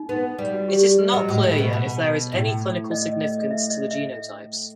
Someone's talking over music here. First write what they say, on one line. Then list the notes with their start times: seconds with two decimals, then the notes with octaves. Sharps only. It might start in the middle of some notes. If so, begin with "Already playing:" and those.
It is not clear yet if there is any clinical significance to the genotypes.
Already playing: D#4
0.09 B3
0.38 G3
0.54 F#4
0.69 G4
0.83 G4
0.99 B4
1.13 F#3 D#5
1.29 A2
1.43 A2
1.58 B2
1.73 B2
2.32 A2
2.91 D#5
3.21 D#5
3.51 E5
3.70 D#5
3.91 E5